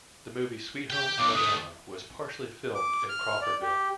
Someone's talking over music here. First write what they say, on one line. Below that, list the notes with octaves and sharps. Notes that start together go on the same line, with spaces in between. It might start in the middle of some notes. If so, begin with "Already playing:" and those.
The movie "Sweet Home Alabama" was partially filmed in Crawfordville.
G4 G5
B1 D6
D3 A3 D#6
D6
F6
D5
G4